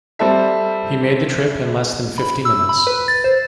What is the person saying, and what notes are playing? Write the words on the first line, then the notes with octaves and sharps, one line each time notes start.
He made the trip in less than fifty minutes.
G3 C4 A4 E5
B5
E6
B5
B4
A6
C5